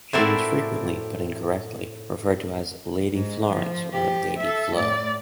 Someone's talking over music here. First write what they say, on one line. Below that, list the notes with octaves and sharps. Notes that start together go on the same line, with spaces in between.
She was frequently, but incorrectly, referred to as "Lady Florence" or "Lady Flo".
A2 C4 E4 F#4 A#4 D5
G#2
F3
F3 G4
A4 E5
A2 D5